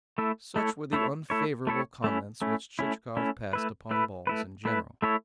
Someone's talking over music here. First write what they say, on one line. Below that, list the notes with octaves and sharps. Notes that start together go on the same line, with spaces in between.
Such were the unfavourable comments which Chichikov passed upon balls in general.
A3 E4 A4
A3 E4 A4 C#5
A3 E4 A4 C#5
A3 E4 A4 C#5
A3 E4 A4 C#5
A3 C#4 E4
A3 C#4 E4
A3 C#4 E4
A3 C#4 E4
A3 E4 B4
A3 E4 B4
A3 E4 B4
A3 E4 B4
A3 E4 A4 C#5